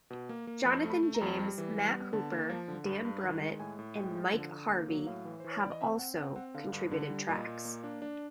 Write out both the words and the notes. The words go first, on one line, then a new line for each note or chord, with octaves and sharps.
Jonathan James, Matt Hooper, Dan Brummitt and Mike Harvie have also contributed tracks.
B2
A#3
A#3
F2 B5
A3
B5
A3
A#5
F2
G3
E3
G3
B3
D3 A5
A#3
F3
D3
G2
G2
D#3
G#3
A2 G#5
A2
G#3 G5
F3
D3
D3
A#3
F#3
A2 F5
E3
E3 C5
C#5
E3 D5
D#5
C4 E5
C4 F#5
C4 F#5
C4 F#5
D3 F5
G2
D3
G3
A#2 D#5
A#2
A#3
D4
D4